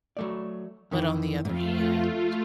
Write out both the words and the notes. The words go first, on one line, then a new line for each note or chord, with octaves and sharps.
But on the other hand,
F#3 A3 D5
F2 D#3 E3
F2 G#2 A3 F4